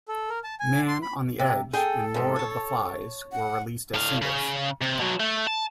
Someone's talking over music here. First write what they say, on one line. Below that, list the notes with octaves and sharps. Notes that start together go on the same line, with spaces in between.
"Man on the Edge" and "Lord of the Flies" were released as singles.
A4
A#4
A5
G#5
C6
B5
C3
G#4 A4 G5
E2 G#2
C#5 A5
F#5
A2 F5
C#3
C3
B2 F#3
A3
A5